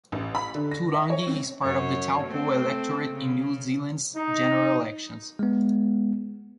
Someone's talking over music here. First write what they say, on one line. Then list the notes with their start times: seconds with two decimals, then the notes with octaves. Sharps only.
Turangi is part of the Taupo electorate in New Zealand's general elections.
0.12 A1
0.35 B5
0.55 D3
0.71 A#6
0.94 E5
1.10 C#5
1.27 C4
1.62 F#2 C#5
2.26 A3 C4
3.13 C#3
4.16 D#4
5.39 G#3 B3